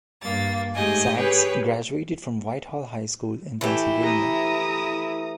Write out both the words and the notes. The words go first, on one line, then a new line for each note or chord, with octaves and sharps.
Sags graduated from Whitehall High School in Pennsylvania.
G2 A#3 A6
G#2 G#3 A3 G4 D#5 G#5
G4 G#4 B4 C#5
E3 A3 E4 G4
A#5 D#6